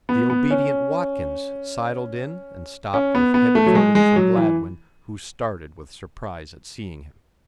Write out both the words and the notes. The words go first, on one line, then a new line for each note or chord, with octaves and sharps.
The obedient Watkins sidled in and stopped with head averted from Gladwin, who started with surprise at seeing him.
B3
B3
C#4
C#4
B3
B3
A3
F#3
G#3
G#3
F#3
E3